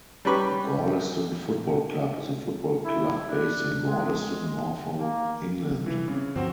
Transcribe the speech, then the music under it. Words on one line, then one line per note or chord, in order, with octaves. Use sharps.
Gorleston Football Club is a football club based in Gorleston, Norfolk, England.
G3 C#4 G4 B4 B5 C#6
E4
D4
G#3
A#3
C3 G3 C4
E3
C#3 A#3 C4
G2 D3 F3 C4 F#4 C5